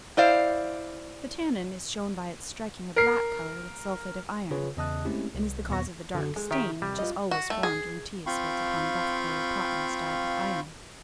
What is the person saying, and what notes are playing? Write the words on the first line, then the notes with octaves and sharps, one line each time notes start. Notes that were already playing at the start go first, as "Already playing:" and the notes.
The tannin is shown by its striking a black colour with sulphate of iron, and is the cause of the dark stain which is always formed when tea is spilt upon buff-coloured cottons dyed with iron.
E4 C5 D5 F5
A#4 C7
C#3 F4 G#4 B4 C#5
E2 C#3 D#5 A5 D#6 F#6
G#3 A3 C4 C#4 E4 G4
C2
D#2 A#2 B3 C#6 A#6
F#2 D3 B3 F#4
G#3 G#4
D#3 G4 E5
D#2 C3 G3
F4 B4 C#5 D#5
F#4
A3
G#4
C4 F4 F5 G5 B5 C#6